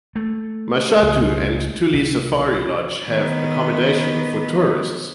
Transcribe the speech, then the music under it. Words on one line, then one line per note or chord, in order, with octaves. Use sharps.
Mashatu and Tuli Safari Lodge have accommodation for tourists.
A3
C#2
C2
D#3 B3